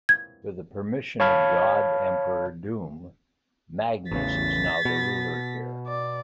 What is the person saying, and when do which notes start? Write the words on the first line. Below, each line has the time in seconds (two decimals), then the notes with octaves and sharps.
With the permission of God Emperor Doom, Magnus is now the ruler here.
0.09 G#6
1.20 C#5 F5 A5 B5 F6 G#6
4.11 A1 E2 C#3 A6 B6
4.85 B2
5.87 D5